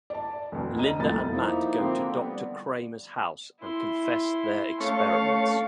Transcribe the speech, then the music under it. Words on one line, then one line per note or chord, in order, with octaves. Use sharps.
Linda and Matt go to Doctor Kramer's house and confess their experiments.
D5 A5
F1 D2
D#5 A#5 D#7
F1 C2 F2 A3 A6
F3 A#3 D#4 E4
D3 F3 A#3 C4
G3 B3
E4 C6
A3 C#4 F5 C#6